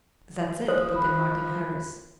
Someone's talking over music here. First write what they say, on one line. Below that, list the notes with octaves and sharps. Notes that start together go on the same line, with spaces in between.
"That's it," put in Martin Harris.
F3 C5 D#6
B5 F#6